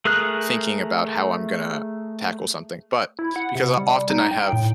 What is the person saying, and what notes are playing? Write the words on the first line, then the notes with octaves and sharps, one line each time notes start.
thinking about how I'm gonna tackle something. But because often I have
A3 G#4 A#4 D#6 F#6
E4
F#5
C3
G3
D#4
G5
A2